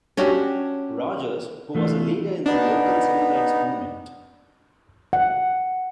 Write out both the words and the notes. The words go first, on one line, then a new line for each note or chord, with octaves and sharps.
Rogers, who was a leader in the local Civil Rights Movement.
C#4 D4 F#4 G4
E3 A3 F4 A4
B3 D4 D#4
F#5